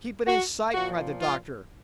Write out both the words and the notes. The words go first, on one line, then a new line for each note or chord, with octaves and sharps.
"Keep it in sight!" cried the doctor.
F#4
A#2 F3 F#4
F4